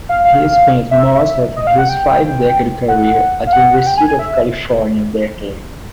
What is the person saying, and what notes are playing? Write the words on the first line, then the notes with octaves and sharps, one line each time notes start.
He spent most of his five-decade career at the University of California, Berkeley.
F5
F5
E5
D#5
F5
F#5
G5
F#5
F5
F#5
F#5
G5
G#5
G#5
E5